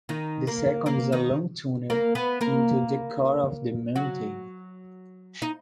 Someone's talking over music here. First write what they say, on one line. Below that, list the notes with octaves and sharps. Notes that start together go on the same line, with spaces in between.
The second is a long tunnel into the core of the mountain.
D#3 D#4
A#3 A#4
A#3 A#4
D#3 D#4
A#3 A#4
B3 B4
A#3 A#4
F#3 F#4
D#4